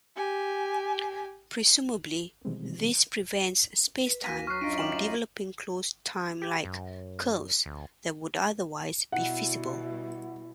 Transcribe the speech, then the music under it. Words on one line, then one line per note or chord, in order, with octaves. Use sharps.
Presumably, this prevents spacetime from developing closed time-like curves that would otherwise be feasible.
G4 G#5
B2 D#3 E3 G3 G#3 C4
B4
D2 A#3 F#4 G#5 A#6 B6 D#7
F#3 C#6 F6 F#6 C7
F#2 D4 D#4 F4 A#6 D7 D#7
G5 D6 F6 E7 F#7
G4
F#2
D2
B2 G3 E4 F#5